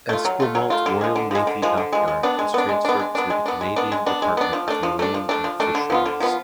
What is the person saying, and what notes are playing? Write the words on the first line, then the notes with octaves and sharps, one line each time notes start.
Esquimalt Royal Navy Dockyard was transferred to the Canadian Department of Marine and Fisheries.
A3 F4
F#3
A3 F4
F#3
A3 F4
D3
F3 G#3
D3
F3 G#3
D3
F3 G#3
D3
F3 G#3
G#3
B3 D4
G#3
B3 D4
G#3
B3 D4
G#3
B3 D4
G#3
B3 D4
G#3
B3 D4
G#3
B3 D4
G#3
B3 D4
F3
A3 D4
F3
A3 D4
F3
A3 D4
F3
A3 D4
D3
F3 B3 F4
D3
F3 B3 F4